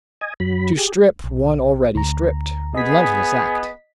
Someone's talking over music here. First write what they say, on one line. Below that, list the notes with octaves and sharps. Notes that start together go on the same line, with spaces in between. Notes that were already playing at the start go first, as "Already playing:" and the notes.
To strip one already stripped--relentless act!
D#5 G#5
F#2 F#3 B5
G4 G#4
B1
D2 A#5
B3 G#4 D#5 B6